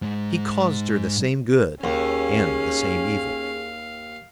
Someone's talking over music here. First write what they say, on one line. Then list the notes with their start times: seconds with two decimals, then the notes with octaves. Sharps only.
He caused her the same good and the same evil.
0.02 G#2 G#3
1.84 D#2 C#4 G#4 F5